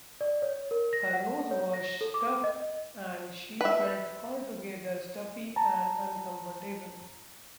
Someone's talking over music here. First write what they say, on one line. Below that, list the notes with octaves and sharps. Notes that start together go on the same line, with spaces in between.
Her nose was stuffed, and she felt altogether stuffy and uncomfortable.
D5
C#5
A#4
A#6
F#5
C#5
A#6
A4
D6
D#5
B4 E5
A5 A#5